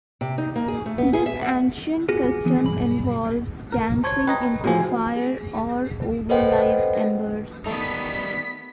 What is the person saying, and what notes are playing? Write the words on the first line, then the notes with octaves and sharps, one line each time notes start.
This ancient custom involves dancing into fire or over live embers.
C3
D#4
A#3
G#4
A3
B3
G#4
E5
F#5
B3 F4 F#4 G#4
D3 E3 B3
B1 G2 B5
A#4
C5 C#5 A5 C#6 G#6
B4 D#5 G5 A#5
A2 F3 F#4 G#4 G#5
G#4
A4 B4 C5 D#5 F#5 G5
D#3 G3 A3 B3 D#4 A4 B6